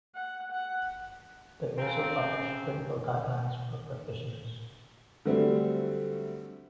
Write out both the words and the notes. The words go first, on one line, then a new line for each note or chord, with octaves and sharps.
They also publish clinical guidelines for practitioners.
F#5
F#5
C#3 C4 A#5
D3 F#3 G3 A3 C4